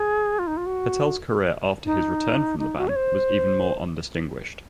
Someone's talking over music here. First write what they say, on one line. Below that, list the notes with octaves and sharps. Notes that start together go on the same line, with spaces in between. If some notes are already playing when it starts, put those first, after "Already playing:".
Patel's career after his return from the ban was even more undistinguished.
Already playing: G#4
F4
D#4
F4
F#4
D#4
D#4
F#4
C#5
C5